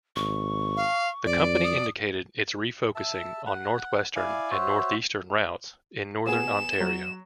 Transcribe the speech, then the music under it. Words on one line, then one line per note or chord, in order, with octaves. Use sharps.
The company indicated it's refocusing on northwestern and northeastern routes in Northern Ontario.
G#1 C#6
F5
F2 D5
D#6
E5 A5
F#5
E4 D5 F5 G#5
F#4 C5 C#5 E5
B3 G#4 E7
F#3